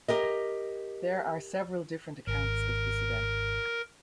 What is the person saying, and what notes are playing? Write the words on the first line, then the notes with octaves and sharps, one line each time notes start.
There are several different accounts of this event.
G4 A#4 D#5
G#1 A#4